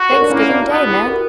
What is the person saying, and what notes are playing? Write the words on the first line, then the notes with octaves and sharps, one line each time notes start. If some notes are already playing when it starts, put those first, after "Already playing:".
'Thanksgiving Day, man!
Already playing: F#4
A#4 C#5
D4
A#3 C#4 E4
D4 F#4
B3 D4 F#4
E4 G4
F#4 A#4